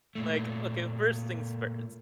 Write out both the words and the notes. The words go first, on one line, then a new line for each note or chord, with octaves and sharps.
like, okay, first things first,
A#2 A3